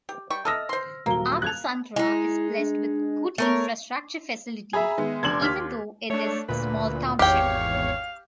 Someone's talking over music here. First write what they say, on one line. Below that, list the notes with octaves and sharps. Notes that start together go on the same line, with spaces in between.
Ammasandra is blessed with good infrastructure facilities even though it is a small township.
G4
G3 G5 C#6
A4 D#5 E5 E6 F6 A#6
C5 C6
D#1 F#3 A#3 G7
F#6 G#6 F7
G#3 D#4 E4
D4
A3 B3 A#4 C#5
G#4 E5 G#5 A#5 B5
D#3 G#3 B3
F1 D4 C6 D6 G#6 F#7
D#2 F6 B6
A3 D4 C#5
D2 A#2 B4
G#1 E2 G4 C#5 F5 G5